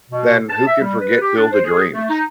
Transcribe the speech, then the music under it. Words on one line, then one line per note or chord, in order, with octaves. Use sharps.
then who can forget Field of Dreams?
B2
A5
E5
G3
B4
G4
D4
C5
G#4
A3
D#4